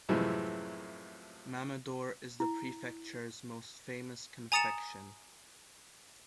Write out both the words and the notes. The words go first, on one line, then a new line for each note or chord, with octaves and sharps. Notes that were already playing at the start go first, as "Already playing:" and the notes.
Mamador is the prefecture's most famous confection.
F#2 A2 C3 E3 F3 G#3
E4
G#5 A#5 D#6 A6 C#7 E7